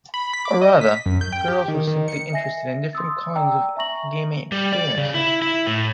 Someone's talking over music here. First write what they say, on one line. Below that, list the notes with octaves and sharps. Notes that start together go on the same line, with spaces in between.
Rather, girls were simply interested in "different kinds" of gaming experiences.
B5
B6
D6
D#5
B6
F#2
G6
G5
G4
D#3
D#3
C#7
D#5 E5 G#5 A#6 C7
C6 D#6 E6 A6
D5 G5 A#5 D6 E6
E5 G#5 A#5 C#6 A#6 F#7
G3
D5
C#3
E4
E4
A2